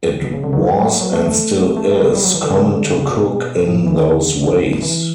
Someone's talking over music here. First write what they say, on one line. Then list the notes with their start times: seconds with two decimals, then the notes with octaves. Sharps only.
It was and still is common to cook in those ways.
0.24 B2
0.34 C#3
0.44 D3
0.53 F#3
1.01 F#3
1.13 A3
1.26 A3
1.77 A3
1.91 A3
1.96 G3
2.15 G3
2.24 F#3
2.34 E3
2.44 D3
2.53 C#3
2.72 D3
2.91 C#3
3.11 B2
3.68 A2
3.87 E3
3.96 D3
4.82 E3